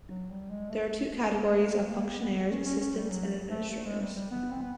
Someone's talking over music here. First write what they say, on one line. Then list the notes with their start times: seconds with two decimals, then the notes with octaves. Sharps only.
There are two categories of fonctionnaires Assistants and Administrators.
0.10 F#3
0.30 G3
0.50 G#3
0.70 A3
1.90 A#3
2.05 B3
2.20 B3
2.51 C#4
2.65 C#4
2.81 C#4
2.95 G3
3.10 F#3
3.50 A3
3.71 A3
3.86 G#3
4.01 G3
4.16 G3
4.31 B3
4.51 C4
4.61 B3